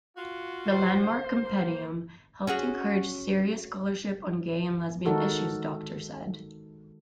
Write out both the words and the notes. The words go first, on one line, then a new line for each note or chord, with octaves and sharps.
The landmark compendium helped encourage serious scholarship on gay and lesbian issues, Docter said.
F4 F#4
C5
A#3
C#4 F#4 G#4
D#3 G#3 D#4 F#4 A4 A#4